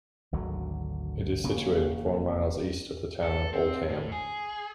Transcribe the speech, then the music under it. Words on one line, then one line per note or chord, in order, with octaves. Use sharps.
It is situated four miles east of the town of Oldham.
G#1 D2 D3 F#3
E1 C#3 A#3 C#4
A4
C4
A2
G#4